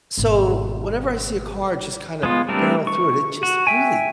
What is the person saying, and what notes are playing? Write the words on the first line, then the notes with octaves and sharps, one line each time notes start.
So, whenever I see a car just kinda barrel through it, it just really
G#1 B2
G#3 B3 F4
G3 A3 C4 D4 A#4
C#6
F#4
E5 G5 G#5